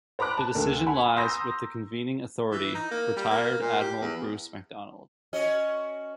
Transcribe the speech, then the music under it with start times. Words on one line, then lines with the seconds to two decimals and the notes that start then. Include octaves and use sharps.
The decision lies with the Convening authority, retired Admiral Bruce MacDonald.
0.19 C5 A#5 B5 D6 F#6
0.37 A5
0.55 D2 A3 A#3
0.87 F#5 G#5 B5
1.16 A#5 C6 D#6 E6 G6 A#6
2.51 E3
2.75 D#4
2.91 A#3
3.16 G3
3.31 A#3
3.60 A#2
3.80 G4
4.00 E2
5.33 C#4 F#4 D#5